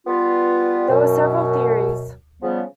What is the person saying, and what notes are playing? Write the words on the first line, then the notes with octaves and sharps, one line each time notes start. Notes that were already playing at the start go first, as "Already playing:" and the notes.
There were several theories.
G3 B3 F4
F#2 B2
C#3 F3 G3 B3